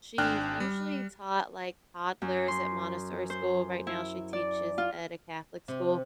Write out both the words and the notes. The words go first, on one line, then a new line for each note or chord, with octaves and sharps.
she's usually taught, like, toddlers at Montessori school. Right now she teaches at a Catholic school.
G#1 D4 G5 F6 F#6
G3
F#2
C6
C5
E4
D5
F4
C3